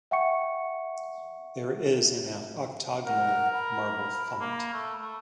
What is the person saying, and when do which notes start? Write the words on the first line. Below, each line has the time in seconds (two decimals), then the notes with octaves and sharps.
There is an octagonal marble font.
0.11 E5 F#5 G5 C#6 C#7
3.07 A#4 F#5
3.53 B5
4.41 A#3
4.73 A3
5.01 A3